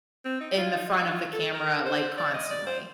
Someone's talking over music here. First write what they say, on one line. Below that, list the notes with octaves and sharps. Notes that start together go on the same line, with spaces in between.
in the front of the camera, like, constantly,
C4
D#4
G4
F4
D#4
D#4
F4
A4
A#4
C5
D5
D#5
D5
C5